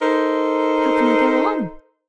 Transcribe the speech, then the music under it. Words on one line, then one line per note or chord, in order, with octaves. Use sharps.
How can I go on?
D#4 A4 A#4 C5